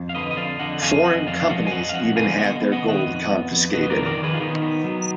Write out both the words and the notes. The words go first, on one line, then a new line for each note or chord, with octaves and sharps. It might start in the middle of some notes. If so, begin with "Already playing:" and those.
Foreign companies even had their gold confiscated.
Already playing: F2
F5
D3 B4 D#5
D#5
F2 D5 F5
D3 D#5 F#5
F2 F5 G#5
F2 D#5 F#5
F2 D5 F5
F5
F3 D#5 F#5
G#5
F2 D#5 F#5
F5
F2 D#5 F#5
D3 F5 G#5
B3 D#5 F#5
B3
D#5 F#5
D#3
D#5 F#5
F2
B3
F2
F2 B4 D#5
D#5
D#3 A#4 D5
A#4 D5
D#3
G#4 B4
F4
D#3 B3 D#4
B3
F#3